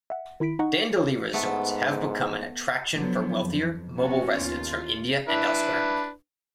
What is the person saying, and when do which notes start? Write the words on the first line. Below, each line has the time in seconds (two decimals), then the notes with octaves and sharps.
Dandeli resorts have become an attraction for wealthier, mobile residents from India and elsewhere.
0.10 E5 F#5
0.40 D#3 E4 B5 B6 D7
0.59 D#4 D#5 F#5 C#6
0.97 C#5 D6 G#6
1.33 G#2 A3 B3 A4
2.95 D3 F3 F#3 B3
3.41 F2
3.99 B3 C#4 F#4
4.38 D#2 F4
5.28 D4 E4 B4